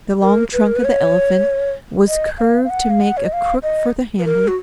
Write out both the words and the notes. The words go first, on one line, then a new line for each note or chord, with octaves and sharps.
The long trunk of the elephant was curved to make a crook for the handle.
A#4
B4
A#4
B4
C#5
D#5
F5
F5
F#5
F5
F#5
C#5
D#5
F5
D#5
B4
A#4
F#4